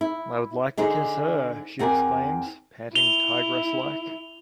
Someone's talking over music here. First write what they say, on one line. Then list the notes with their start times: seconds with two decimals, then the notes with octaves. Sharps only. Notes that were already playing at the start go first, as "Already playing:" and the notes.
"I would like to kiss her!" she exclaims, panting tigress-like.
0.01 E4
0.77 D3 D#4 G#4 C5
1.79 E2 C4 A#4 D5 G#5
2.95 E4 F7 G7